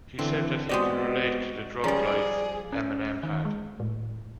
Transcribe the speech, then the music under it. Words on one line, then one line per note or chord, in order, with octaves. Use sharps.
He said that he can relate to the drug life Eminem had.
D3 E3 C4
G#3 B3 F#4 G4 C5 D5 D#5
F3 G3 C#4 G#4 D5 A#5
D5 D7
C#4
D#3
G#3
A2